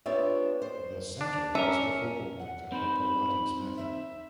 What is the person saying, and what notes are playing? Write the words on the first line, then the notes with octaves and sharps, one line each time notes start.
The center is the focal point of the Pilates method.
B3 D4 F4 G4 C#5 E5
C5
D4
C#4 A#4 E5
F#5
C4 D#4 C5 B5
E5